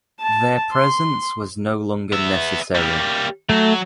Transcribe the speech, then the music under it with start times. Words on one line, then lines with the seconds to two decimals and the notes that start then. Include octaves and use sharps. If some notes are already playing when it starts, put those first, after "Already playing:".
Their presence was no longer necessary.
0.20 A5
0.73 C6
2.13 B3 E5
2.75 G3 A#3
3.50 F#3 A3